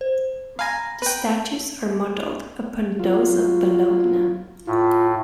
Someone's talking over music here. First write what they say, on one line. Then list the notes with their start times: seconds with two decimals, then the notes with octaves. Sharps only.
The statutes are modelled upon those of Bologna.
0.01 C5
0.59 F5 G#5 A#5 B5 A#6
1.02 B4 G5
2.99 F#3 F4
4.67 A2 F4